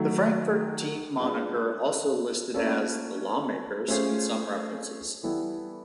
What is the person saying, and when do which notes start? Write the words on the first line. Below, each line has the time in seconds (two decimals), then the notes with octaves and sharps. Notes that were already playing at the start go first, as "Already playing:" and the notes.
The Frankfort team moniker also listed as the "Lawmakers" in some references.
Already playing: D#3 F#3 A3
1.20 G#3 B3 D4 F4
2.54 A#3 C#4 F4 A4 D5
3.88 A3 C#4 F4 G#4 C5
5.23 E3 G3 B3 E4 A4